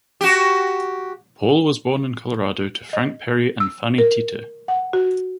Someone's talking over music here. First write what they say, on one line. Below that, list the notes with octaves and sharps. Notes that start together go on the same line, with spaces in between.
Paul was born in Colorado to Frank Perry and Fanny Teeter.
F#4 G4
D#5
E6
A#4
F#5
F#4